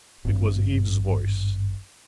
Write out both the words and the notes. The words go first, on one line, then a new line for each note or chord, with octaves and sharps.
It was Eve's voice.
G#1 G2